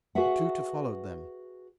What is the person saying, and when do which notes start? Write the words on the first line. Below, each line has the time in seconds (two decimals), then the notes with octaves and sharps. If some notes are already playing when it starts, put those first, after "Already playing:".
The tutor followed them.
0.15 F#4 G#4 A4 B4 E5 F#5